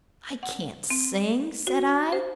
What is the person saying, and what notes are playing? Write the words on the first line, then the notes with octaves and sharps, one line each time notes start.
"I can't sing," said I.
F#5
C4
F#4
C5